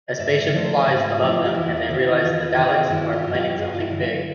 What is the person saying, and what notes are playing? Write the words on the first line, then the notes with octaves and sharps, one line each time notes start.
A spaceship flies above them and they realise the Daleks are planning something big.
G#2 D5 E5
D5
D#5
F3 A3 C5 D5
A#4 C5
G#2 A4 B4
F4
F3 A3 E4
F4
G4
E2 E4 F#4
F4
C3 D#3
E4
E2 F4
F4
C3 D#3
F#4 G#4
G2 E4 F#4
F4 G4
D3
F#3
F4 G4
G2 F#4 G#4
F4
E4 F#4
D3 F#3
F4